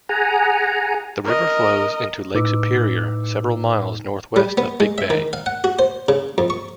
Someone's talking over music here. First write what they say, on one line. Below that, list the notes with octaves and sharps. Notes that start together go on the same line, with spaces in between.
The river flows into Lake Superior several miles northwest of Big Bay.
G#4 F#5 G#5 A#5
A#4 D#5
A2 D#4 B4 D6 E6
G3
B3
G#3
E5
D#3
F5
F#5
F#4
C5
C#3
F2
C#6